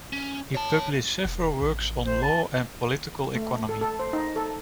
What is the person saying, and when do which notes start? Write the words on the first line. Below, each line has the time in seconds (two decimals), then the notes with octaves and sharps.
He published several works on law and political economy.
0.13 C#4
0.55 C#5 A5
1.25 E1
1.62 A1
2.06 C5
2.23 A5
3.35 A3
3.69 A4
3.81 A4
3.99 C5
4.13 D#4
4.36 A4